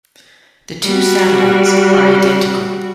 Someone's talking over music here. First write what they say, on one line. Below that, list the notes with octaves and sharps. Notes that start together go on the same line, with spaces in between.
The two satellites are identical.
G3 F#4